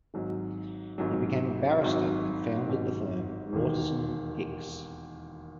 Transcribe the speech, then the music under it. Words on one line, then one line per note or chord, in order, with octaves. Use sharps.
He became a barrister and founded the firm Waterson Hicks.
G#1 G#2 F#3
G#1 G#2 F#3
G#1 G#2 F#3
G#1 G#2 F#3
E1 D#2 D#3